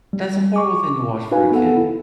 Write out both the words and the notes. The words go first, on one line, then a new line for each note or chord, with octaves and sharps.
That's a horrible thing to watch for a kid.
G3
C#6 D6
D#4 F#4 B4 F5 G#5
B3 A4 F#5
E4